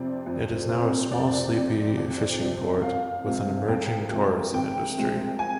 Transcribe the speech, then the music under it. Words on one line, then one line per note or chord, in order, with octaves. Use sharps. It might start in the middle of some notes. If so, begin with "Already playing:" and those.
It is now a small sleepy fishing port with an emerging tourism industry.
Already playing: F2 C3 F3 C4 D5
F2
C3 F3 C4
F2 D5
C3 F3 C4
F2 D5
C3 F3 C4
C2 F5
C3 F3 G#3
C2 G5
C3 F3 G#3
C2 G5
C3 F3 G#3
G#5